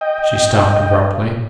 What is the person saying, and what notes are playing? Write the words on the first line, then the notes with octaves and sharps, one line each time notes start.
She stopped abruptly.
D#5 G5